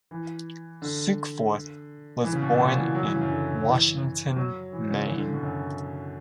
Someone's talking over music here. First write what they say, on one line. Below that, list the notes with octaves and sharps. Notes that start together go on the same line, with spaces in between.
Sukeforth was born in Washington, Maine.
E3
D3
E3
C#3
B2
A#2
B2
E3
F#3
E3
C#3
F#2
D3
E3
F#3
E3
C#3
E3
D3
C#3
B2
F#2